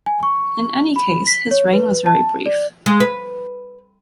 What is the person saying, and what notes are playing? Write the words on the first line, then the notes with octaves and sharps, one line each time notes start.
In any case his reign was very brief.
G#5
C#6
B5
B6
C#5
B4
A5
D5
G#3
B4